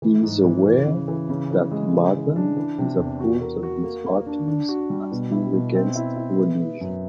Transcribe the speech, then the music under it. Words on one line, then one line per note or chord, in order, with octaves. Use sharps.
He is aware that "Mother" disapproves of these authors as being against religion.
E3
G#2
E3
E3
C#3
E3
C#3
E3
G#3
C#3
E3
D4
E3
C3
E2
F#4
A#4
F#4
A#3
A#3
D4
D4
F#4
G3
B2
E4
B2
C4
E4
E4
B3
B3
F#2